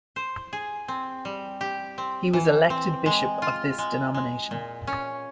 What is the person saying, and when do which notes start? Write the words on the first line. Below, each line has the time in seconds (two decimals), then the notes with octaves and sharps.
He was elected bishop of this denomination.
0.16 C5
0.53 G#4
0.88 C4
1.25 G3
1.61 G4
1.98 C4
2.33 E3
2.70 C4
3.06 G#3
3.42 F4
3.78 G#3
4.14 G#3
4.51 A#2
4.87 C#4